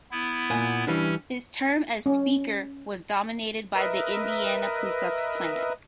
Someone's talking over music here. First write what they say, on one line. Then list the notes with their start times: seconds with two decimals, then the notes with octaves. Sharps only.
His term as Speaker was dominated by the Indiana Ku Klux Klan.
0.11 B3 E4
0.50 A#2 F#5 G#5
0.87 E3 G3 C#4 D4
2.06 C#4
3.74 A#4 B4 D#5 E5